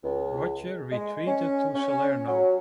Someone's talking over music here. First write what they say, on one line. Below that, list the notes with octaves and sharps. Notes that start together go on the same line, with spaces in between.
Roger retreated to Salerno.
C#2
G#3
C#4
C#4
F#3